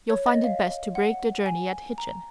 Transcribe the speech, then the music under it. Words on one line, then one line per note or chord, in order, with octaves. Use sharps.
You'll find it best to break the journey at Hitchin.
C#5
D#5
F5
F#5
G#5
A#5